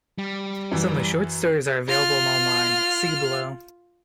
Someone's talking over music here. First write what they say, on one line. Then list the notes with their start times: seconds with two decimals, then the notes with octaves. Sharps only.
Some of the short stories are available online; see below.
0.18 G3
0.71 F#2 E3
1.88 F4 F6